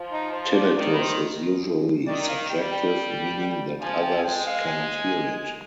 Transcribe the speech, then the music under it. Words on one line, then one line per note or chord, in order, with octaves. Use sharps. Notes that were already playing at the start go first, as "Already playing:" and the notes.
Tinnitus is usually subjective, meaning that others cannot hear it.
Already playing: F3
D#4
C5
D5
D#3 D5
B4
C5
D#3 D5
F5
G3 G5
G5
F3 G#5
G5
G#5
G#3 G5
F5
G#5